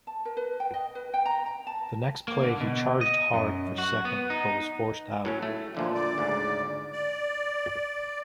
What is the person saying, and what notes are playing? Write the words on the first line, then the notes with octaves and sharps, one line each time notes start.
The next play he charged hard for second but was forced out.
A5
A#4
B4
G5
D#5
B4
G5
A#5
A#5
A5
A#3
D3
B2
D#5
F#2
F#4
B3
D#4
A2 F#3 C#4
A3
A#2 D3 F3 A3
D5
D2 G#2 C#3
D5